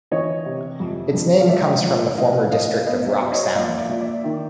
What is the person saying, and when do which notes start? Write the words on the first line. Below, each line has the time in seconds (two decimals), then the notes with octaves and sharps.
Its name comes from the former district of Rock Sound.
0.11 E3 C#5 D#5
0.46 C3
0.80 F2
1.14 F2
1.40 F5
1.48 G#3 D5 E5
1.83 F3
2.17 A2 D#5 F5
2.51 A2 D#5 F5
2.86 B3 D#5 F5
3.09 D5 E5
3.21 F#3
3.32 C#5 D#5
3.55 A#2 D#5 F5
3.78 D5 E5
3.89 A#2
4.01 D5 E5
4.24 D#3